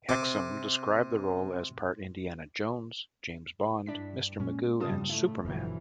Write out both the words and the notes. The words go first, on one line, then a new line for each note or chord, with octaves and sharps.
Hexum described the role as part Indiana Jones, James Bond, Mr. Magoo, and Superman.
C3 D6
G2 D4 E4 B6
A#2 G#3 C#4
G2 C#3 G3 F4 A5 D#6
A2 A3 E4
G1 F2 B2 D3 E3 F#3